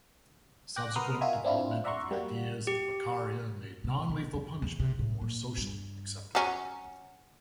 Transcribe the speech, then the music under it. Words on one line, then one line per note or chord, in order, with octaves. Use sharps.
Subsequent development of the ideas of Beccaria made non-lethal punishment more socially acceptable.
G5 D6 F#6 A#6
A#4 B4 F#5 C6 D#6 F6
F4 F#4 A#4 D#5 E5 G#5
C4 D4 E4 F4
D5 E5 F#5 A#5 C6 C#6
G3 A#3 F#4
G4
C3
B2
F#2
E2
C3
A2
A#2
G2
F#3 C#4